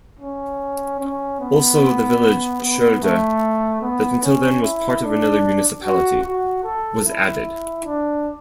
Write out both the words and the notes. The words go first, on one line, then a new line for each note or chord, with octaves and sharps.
Also the village Scheulder, that until then was part of another municipality, was added.
C#4
C#4
B3
B3
A3
B3
C#4
E4
D4
F#4
F#4
A4
E4
D4